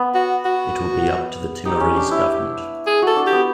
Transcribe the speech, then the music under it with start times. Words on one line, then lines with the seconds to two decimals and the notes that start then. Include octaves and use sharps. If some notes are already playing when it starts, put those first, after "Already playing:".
It will be up to the Timorese government.
Already playing: B3
0.14 F#4
0.45 F#4
1.65 D#4 G4
1.80 C#4
1.97 D4
2.11 E4
2.87 G#4
3.02 F#4 A4
3.16 D4
3.27 G4
3.32 B3